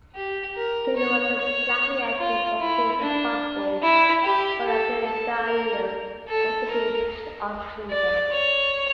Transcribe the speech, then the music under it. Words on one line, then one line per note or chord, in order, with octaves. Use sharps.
Zingerone is likely the active constituent responsible for the antidiarrheal efficacy of ginger.
G4
A#4
C#5
C#5
F4
E4
D4
E4
G4
A4
A4
A#4
A4
A#4
D5
C#5